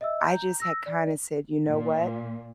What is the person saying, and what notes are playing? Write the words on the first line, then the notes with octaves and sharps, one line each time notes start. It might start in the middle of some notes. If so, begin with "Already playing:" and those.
I just had kinda said, "You know what"
D#5 E5 E6
A#5 G6
E6 A#6
D5
A#2